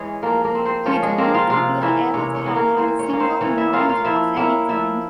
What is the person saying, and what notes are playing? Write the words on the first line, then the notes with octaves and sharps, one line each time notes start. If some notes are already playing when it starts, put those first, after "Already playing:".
He did not appear ever to have had a single reminder of any kind.
Already playing: E3 G#3 C#4 G#4
F3 A#3 A#4
A#3 A#4
C4
C4 C5
F3 C#4 C#5
G#3 G#4
A#3 C4 A#4
F4 F5
C3 F4 F5
E3 A#3 C#4 E4 E5
C3 C#4 C#5
C#4 C#5
E3 A#3 C#4
A#3 A#4
E3 C4 C5
C#4 C#5
A#3 C#4
C4 C5
E3 C#4 C#5
E4 E5
A#3 C#4 F4 F5
F4 F5
F3 E4 E5
A#3 C#4 E4 E5
F3 E4 E5